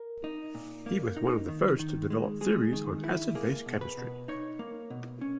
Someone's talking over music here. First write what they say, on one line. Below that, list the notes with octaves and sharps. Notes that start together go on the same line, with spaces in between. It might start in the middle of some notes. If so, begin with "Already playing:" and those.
He was one of the first to develop theories on acid-base chemistry.
Already playing: A#4
D#4
A#2
A#3
D#4
D#3
D#3
G#3
G#3 G#4
D#3
E4
A#3 G#4
B2
B4
B2
D#4 C#5
A#3
B2
C#4